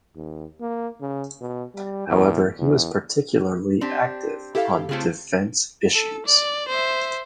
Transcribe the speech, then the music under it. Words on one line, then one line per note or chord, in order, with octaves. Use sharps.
However, he was particularly active on defense issues.
D#2
A#3
C#3
B2
G3
E2
E2
C4 D4 G4
E4 G4 A4 F5
C#3 A3 C4 F4 G#4
A4
D5
C5 E5